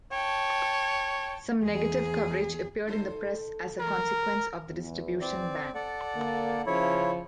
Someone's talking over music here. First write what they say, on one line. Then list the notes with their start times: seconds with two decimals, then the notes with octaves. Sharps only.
Some negative coverage appeared in the press as a consequence of the distribution ban.
0.12 C#5 G5 A5
1.63 E2 G#4
2.87 D#4 A4 C5
3.79 E3 A#4
4.68 E2
5.21 C4 D5
5.75 A4 D5 F#5
6.15 D3 A#3
6.66 C#3 F3 E4 C#5